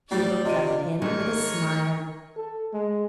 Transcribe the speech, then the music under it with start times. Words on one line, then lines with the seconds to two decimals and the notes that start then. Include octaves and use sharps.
She looked up at him with a smile.
0.11 A2 G3 D5 A6
0.45 C3 F4 D#5 D#7
1.02 G#2 D#3 A3 A#4 C#5
2.36 A4
2.73 G#3